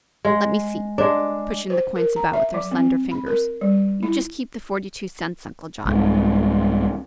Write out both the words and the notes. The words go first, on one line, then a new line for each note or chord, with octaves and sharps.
Let me see," pushing the coins about with her slender fingers, "you just keep the forty-two cents, Uncle John.
G#3
G#3 D4
C5
A#4
A#5
E5
F#3
C4
B5
A#4
G3
E4
C2 G#2